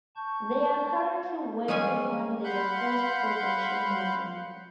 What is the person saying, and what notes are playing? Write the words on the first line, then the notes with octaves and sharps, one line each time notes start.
They are currently working on their first production model.
A5 C#6 G6
G3 G#3 A#3 C#4 G#4 G#5
F5 F#5 B5 C6 F#6 G6